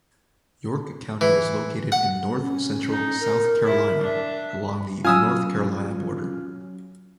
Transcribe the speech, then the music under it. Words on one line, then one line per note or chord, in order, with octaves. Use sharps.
York County is located in north central South Carolina, along the North Carolina border.
E3
F#5
C#4
D#4
A#4
E4
D4 E5
F#3 C#4 F4 G#5 D#6 E6